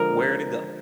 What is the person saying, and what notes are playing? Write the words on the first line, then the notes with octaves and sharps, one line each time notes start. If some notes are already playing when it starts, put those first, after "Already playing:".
where to go,
Already playing: D3 F3 G#3 A#4